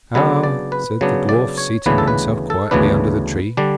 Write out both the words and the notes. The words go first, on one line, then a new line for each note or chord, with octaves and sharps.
'Ah!' said the dwarf, seating himself quietly under the tree.
C#3 F#3 B3 D4 B4
D5
B4
C#3 F#3 B3 D4
D5
C#5
D2 C#3 E3 B3 D4 B4
A4
B4
A4
D2 C#3 E3 B3 D4 B4
D3 G3 D4